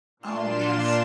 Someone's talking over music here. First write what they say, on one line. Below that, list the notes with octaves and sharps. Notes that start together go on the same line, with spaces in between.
Oh, yes.
A#2 D4 F4 C6 E7